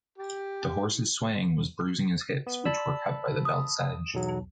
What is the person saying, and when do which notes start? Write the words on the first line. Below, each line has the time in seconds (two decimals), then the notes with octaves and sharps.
The horse’s swaying was bruising his hips, which were cut by the belt’s edge.
0.18 G4
2.47 B3
2.65 D5 A5 B5 E6
3.45 D#6
4.14 B1 E2 F#3